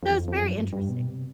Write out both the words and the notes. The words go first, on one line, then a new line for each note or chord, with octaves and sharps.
So, it's very interesting.
F2
E2
F2
F2
F#2
G2
G2
B2
C3